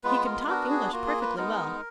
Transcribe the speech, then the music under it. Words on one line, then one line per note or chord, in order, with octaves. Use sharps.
He could talk English perfectly well.
G#3 B3 F4 B4
A#4
B3 D4 F#4 A#4
G#4
A#3 F4 F#4
G#4
B4
G#3 B3 D#4 A#4